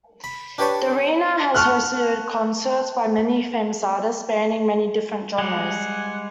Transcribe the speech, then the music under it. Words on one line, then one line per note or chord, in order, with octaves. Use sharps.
The arena has hosted concerts by many famous artists, spanning many different genres.
B5
D4 G4 B4 C#5 A5
A5 C#6 F6 F#6
G3 G#3 F#5 G#5